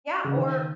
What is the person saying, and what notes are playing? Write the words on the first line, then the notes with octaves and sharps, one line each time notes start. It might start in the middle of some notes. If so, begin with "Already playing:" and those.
Yeah, or
C#3
D#3